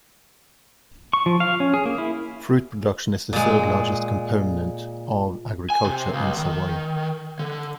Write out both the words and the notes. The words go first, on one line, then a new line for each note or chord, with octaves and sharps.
Fruit production is the third largest component of agriculture in Savoie.
C#6
F3
F5
C#4
G#4
A#3
E4
A#2 G#3
G#5
C3
C#2
D#3
D3